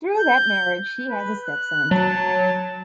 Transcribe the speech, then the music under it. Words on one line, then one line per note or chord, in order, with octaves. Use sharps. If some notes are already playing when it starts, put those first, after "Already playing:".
Through that marriage, she has a stepson.
G6
B4
F#6
F#3 A5